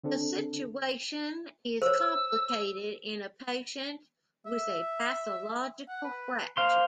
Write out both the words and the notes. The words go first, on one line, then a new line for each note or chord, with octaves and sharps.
The situation is complicated in a patient with a pathological fracture.
D3 C4 D4 A4
C5 C#5 E6
E5
F#5
B4
A#3 C5 F5 C6